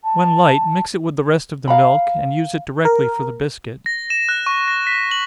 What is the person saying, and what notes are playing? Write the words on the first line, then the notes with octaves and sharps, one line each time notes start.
When light, mix it with the rest of the milk, and use it directly for the biscuit.
A5
F5 A#5 B5
A#4
A#6
E7
F#6
C#6
A#6
B6
F#7